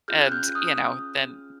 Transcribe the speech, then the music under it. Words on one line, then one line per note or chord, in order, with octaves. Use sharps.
and, you know, then
C#4 F4 G#4 F6 G6
F#6
F6 G6
D#6 F6